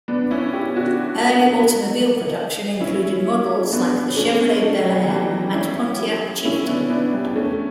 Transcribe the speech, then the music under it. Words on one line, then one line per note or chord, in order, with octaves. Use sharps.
Early automobile production included models like the Chevrolet Bel Air and Pontiac Chieftain.
B3 D4
C#4 E4
E4 G4
D4 F#4
C#4 E4
B3 D4
A3 C#4
A3 C#4
F#3
E3 G3
F#3
C#4 E4
E4 G4
C#4 E4
B3 D4
B3 D4
G3 B3
A3 C#4